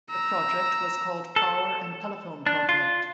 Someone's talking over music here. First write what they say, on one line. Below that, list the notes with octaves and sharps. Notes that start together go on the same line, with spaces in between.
The project was called Power and Telephone Project.
A#5 E6
A4
D4
F4